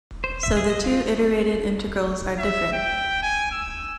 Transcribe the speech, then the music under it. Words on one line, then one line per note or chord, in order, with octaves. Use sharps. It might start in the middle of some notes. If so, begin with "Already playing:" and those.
So the two iterated integrals are different.
C5
E5
G#4
D#5
F4
E5
G5
G#5
E6